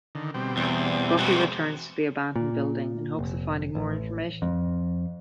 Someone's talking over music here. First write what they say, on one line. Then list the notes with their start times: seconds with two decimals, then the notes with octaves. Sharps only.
Buffy returns to the abandoned building in hopes of finding more information.
0.15 D3 D#3
0.34 B2 G3 C4
0.57 E2
1.18 E2 G#3 F#4
2.36 A#2
3.19 F1
3.75 A1
4.42 F2